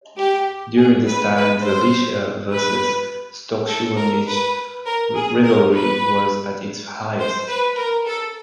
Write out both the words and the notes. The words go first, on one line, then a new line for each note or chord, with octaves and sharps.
During this time the Lechia vs Stoczniowiec rivalry was at its highest.
G4
G#4
B4
B4
C5
B4
A4
A#4
B4
A#4
G#4
A#4
B4
C5
B4
A#4
A4